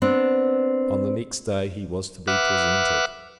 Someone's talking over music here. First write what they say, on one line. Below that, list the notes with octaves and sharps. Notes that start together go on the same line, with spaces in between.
On the next day, he was to be presented.
B3 C4 D4
B4 E5 F#5 D6 F6 F#6